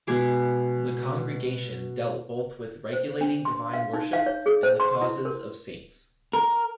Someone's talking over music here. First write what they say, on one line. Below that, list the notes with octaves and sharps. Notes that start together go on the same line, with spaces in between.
The congregation dealt both with regulating divine worship and the causes of saints.
B2 G#3 G#4 D6
C5
D4
C6
F5
D#4
F5
C#5
G#4
C5
C6
E4
A#4
A#4